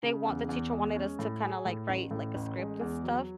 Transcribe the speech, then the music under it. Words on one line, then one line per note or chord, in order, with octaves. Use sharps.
they want the teacher wanted us to kinda, like, write, like, a script and stuff
C#3
E2
E2
G#3
C#4
A2
G#4
A2
A1
A2
A1
G#3
E2
F#3